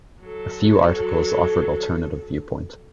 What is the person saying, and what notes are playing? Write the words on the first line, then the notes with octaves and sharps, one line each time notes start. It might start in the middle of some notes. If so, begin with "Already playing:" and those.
A few articles offered alternative viewpoint.
F#3 A4